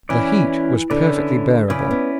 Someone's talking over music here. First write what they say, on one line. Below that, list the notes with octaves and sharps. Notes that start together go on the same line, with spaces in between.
The heat was perfectly bearable.
E3 C#4 E4 B4 D5
D3 C#4 E4 B4 D5
C#3 C#4 E4 B4 D5
B3